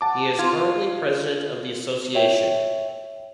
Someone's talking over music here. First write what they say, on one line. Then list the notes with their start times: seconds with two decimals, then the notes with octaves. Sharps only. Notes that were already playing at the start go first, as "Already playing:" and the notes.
He is currently president of the association.
0.01 F#5 A5 D6
0.39 F4 G#6
2.15 C#5 E5 G5